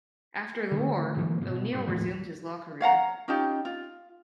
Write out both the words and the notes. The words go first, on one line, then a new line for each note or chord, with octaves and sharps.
After the war, O'Neal resumed his law career.
D3 D#3 F#3 A3
G#2 E3 F#3 A#3
B2
G2
D#2 A2 F3 G#3
C#5 F5 F#5 A#5
C#4 D#4 F4 G4
F4